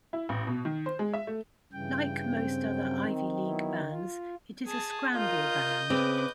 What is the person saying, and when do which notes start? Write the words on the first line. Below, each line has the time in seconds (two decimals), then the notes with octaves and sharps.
Like most other Ivy League bands, it is a scramble band.
0.13 E4
0.29 A1
0.47 B2
0.65 D#3
0.86 C5
0.99 G#3
1.14 E5
1.27 A3
1.73 G2 C#3 E3 G5
2.23 C4
2.58 F#2
2.99 D#3
3.47 F#3 B3 E4
3.90 F4
4.66 G#4 A5
5.14 F4 A#4 D#5 G6
5.90 C#3 C4 B4 D6